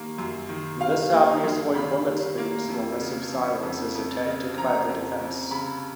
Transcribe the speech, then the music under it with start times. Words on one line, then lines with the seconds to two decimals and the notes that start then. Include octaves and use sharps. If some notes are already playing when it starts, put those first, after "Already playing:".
This obviously limits the usefulness of silence as a tactic by the defense.
Already playing: D#3 G3 A#3
0.18 F#2
0.49 D#3
0.80 G3 F5
1.12 A#3
1.43 F#2
1.75 D#3 B5
2.06 G3
2.38 A#3
2.69 F2
3.01 C#3
3.32 F3
3.63 F2
3.95 F2
4.26 C#3
4.57 F3 A#5
4.88 F2
5.20 F2
5.51 C#3 B5